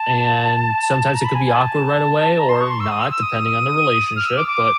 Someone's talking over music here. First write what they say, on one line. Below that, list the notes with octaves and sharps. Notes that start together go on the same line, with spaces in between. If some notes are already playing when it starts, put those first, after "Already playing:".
and sometimes it could be awkward right away or not depending on the relationship, but,
Already playing: A5
A#5
B5
G#5
G#5
A5
A#5
C6
C#6
C6
E6
D#6
E6
E6
D#6
F6
E6
D6
D6